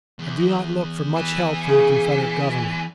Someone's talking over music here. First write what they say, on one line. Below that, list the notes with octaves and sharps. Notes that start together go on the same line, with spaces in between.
I do not look for much help from the Confederate Government.
E2
E3
C#3